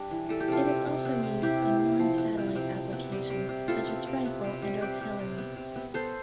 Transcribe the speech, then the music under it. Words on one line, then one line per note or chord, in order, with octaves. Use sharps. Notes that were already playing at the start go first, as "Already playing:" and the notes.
It is also used in non-satellite applications such as rifle and artillery.
Already playing: G3 D4
E3
G3 A4
G4
C3 F4 A4
G3
C3
B3
C3
C3 E4 G4
B3
C3
F3
B3
C3
C3
C3
B3
G3
C3
C3
B3 F4 A4
B3
C3
B3
C3
G3
C3 G4 B4
C3
C3
B3
C3
B3
B3 A4 C5